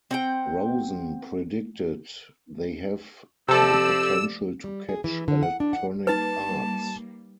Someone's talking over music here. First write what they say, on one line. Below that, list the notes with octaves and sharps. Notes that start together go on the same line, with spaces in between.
Rosen predicted "they have the potential to catch Electronic Arts".
C4 F#5 G5
C3 F3 G4 A4 D5 E6
G3
G#4
E3
D3
F#5
D4
F#5
G3 A#3 D#4 B4 A5